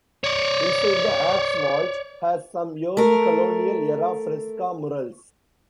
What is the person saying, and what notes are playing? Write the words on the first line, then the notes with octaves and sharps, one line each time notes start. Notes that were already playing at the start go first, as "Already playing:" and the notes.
Inside, the apse vault has some early colonial era fresco murals.
C#5 D5
A3 A#4